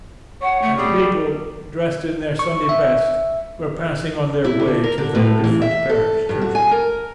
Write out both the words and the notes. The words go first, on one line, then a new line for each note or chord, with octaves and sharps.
And the people, dressed in their Sunday best, were passing on their way to their different parish churches.
C#5 F#5
A3
G3 G#4
C#6
E5
E4
D3
A#4
D3
A2
E3
E5
A4
G2
F#4
G#5
A#4